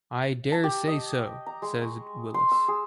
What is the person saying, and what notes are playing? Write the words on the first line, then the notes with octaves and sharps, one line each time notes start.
"I daresay so," said Willis.
A5
G4
D#5
A#5
G#3
C#6
C6
E6
G#4